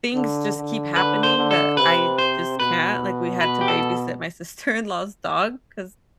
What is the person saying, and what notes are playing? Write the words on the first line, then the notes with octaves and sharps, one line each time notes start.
things just keep happening, that, I just can't like, we had to babysit my sister-in-law's dog 'cause,
D3
D3
D3 B4
C5
D3
A4
C3 B4
C5
B2 B4
B2 B4
G4
A4